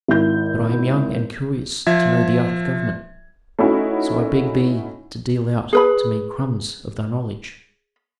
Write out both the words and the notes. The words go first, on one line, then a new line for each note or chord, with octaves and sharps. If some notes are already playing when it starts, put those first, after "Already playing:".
But I am young and curious to know the art of government, so I beg thee to deal out to me crumbs of thy knowledge.
G#1 E4 G6
F3 E5 G#6
A3 C#4 D#4 E4 F#4
G#4 B4 B5